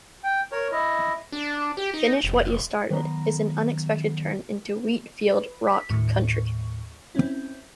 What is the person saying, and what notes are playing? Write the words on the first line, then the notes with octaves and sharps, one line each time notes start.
"Finish What Ya Started" is an unexpected turn into wheat-field-rock country.
G5
A#4 C#5
E4 D#5
D4
G4
D#4
F1
D#3 F#3 B3 A#5
B4
B6
D#2 A2 C#6
C4 C#4 E4